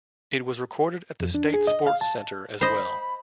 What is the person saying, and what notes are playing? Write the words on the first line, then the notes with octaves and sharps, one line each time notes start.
It was recorded at the State Sports Centre as well.
F2
D4
G#4
D#5
F5
A5
C5 D#5 B5